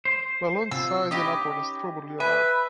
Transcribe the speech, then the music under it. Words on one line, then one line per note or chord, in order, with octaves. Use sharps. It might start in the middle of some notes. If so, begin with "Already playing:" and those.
Lalonde's size and awkwardness troubled Leonard.
C5
C3 F4 E6
C#4 D#4 G4 B4 D#5
B4 E5 G#5